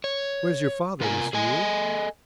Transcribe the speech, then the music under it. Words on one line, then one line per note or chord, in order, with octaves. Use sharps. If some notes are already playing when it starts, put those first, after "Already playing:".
'Where's your father, Miss Yule?'
C#5
C3 F4 A#4 C5 G#5
G#4 A4 D#5 G#5